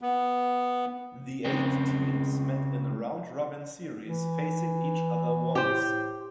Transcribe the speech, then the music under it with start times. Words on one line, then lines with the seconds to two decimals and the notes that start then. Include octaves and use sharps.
The eight teams met in a round-robin series, facing each other once.
0.01 B3
1.45 C#3 G#3 C4
4.03 E3
5.55 A2 G4 C5